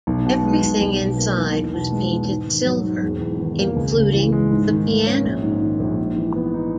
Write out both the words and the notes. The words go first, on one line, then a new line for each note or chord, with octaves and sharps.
Everything inside was painted silver, including the piano.
B1
B2
G#3
B1
B1
B2
A#3
B1
E2
B2
G#3
E2
G#2
D#3
F#3
G#2
E1
E2
D#3
A#3
C#2
C#3
E3
G#3
G#2
D#3
A#3
C#4
A#1
G#2
D#3
A#1
G#2
E3
B3
D#4